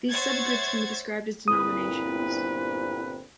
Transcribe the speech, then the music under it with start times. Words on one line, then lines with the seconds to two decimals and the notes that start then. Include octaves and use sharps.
These subgroups can be described as denominations.
0.11 C5 C#5 E5 F#5 G#6 A6
1.48 G1 A#2 C4 E4 B4 D#6